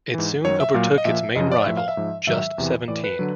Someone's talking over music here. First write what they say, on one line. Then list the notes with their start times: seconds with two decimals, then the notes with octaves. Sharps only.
It soon overtook its main rival, Just Seventeen.
0.14 G#2 E3
0.44 F#2 D#3 F#3 C#5
0.60 E5
0.74 A#2 F#3 F5
0.98 D#5
1.05 A#2 F3 E5
1.36 F#2 C#3 F3 D#5
1.52 D5
1.66 A2 F3 E5
1.77 F5
1.88 E5
1.97 G#2 F3
2.27 G#2 D#3 F#3 E5
2.58 E2 C3 E3
2.88 A2 E3 D5
3.04 B4
3.19 D3 F#3